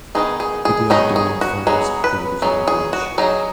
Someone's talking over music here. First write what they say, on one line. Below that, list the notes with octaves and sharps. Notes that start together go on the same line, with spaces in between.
People are doing various activities on the beach.
D#3 F#3 B3 D#4 G#4
G#4
G#4
D#3 F#3 B3 D#4 G#4
G#4
F#4
F#3 B3 D#4 G#4
B4
F#3 B3 D#4 G#4
G#4
F#4
F#3 D#4 G#4